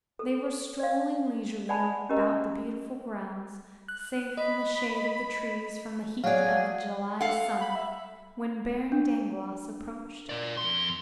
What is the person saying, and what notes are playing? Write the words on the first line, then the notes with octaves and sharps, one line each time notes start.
They were strolling leisurely about the beautiful grounds, safe in the shade of the trees from the heat of the July sun, when Baron Dangloss approached.
A4
D5 F5
D5 F#5 G#5 A5 B5
C#4 G4 A#4 D#5 A#5
F#6
D#5 B5
F#3 G#4 D5 F5 F#5
A4 F5 F#5
B5
E5
D4
A#4 D5
F2 C6